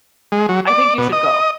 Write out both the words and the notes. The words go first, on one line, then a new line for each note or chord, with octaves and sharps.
I think you should go.
G#3
F#3
D5
B2
D#5